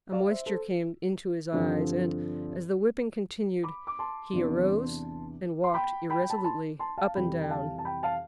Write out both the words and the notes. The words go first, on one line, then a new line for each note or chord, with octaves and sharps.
A moisture came into his eyes, and, as the whipping continued, he arose and walked irresolutely up and down.
D5 F5
C5 E5
A4 C5
G2 D3 F3 C4
B5 D6
D6
A5 C6
E2 C3 E3 B3 D4
C6
G5 B5
G5 B5
G5
A5
B5
A5 C6
A5 C6
F5 A5
F2 C3 E3 G3 G5 B5
G5
F5 A5
A5
G5 B5
F5 A5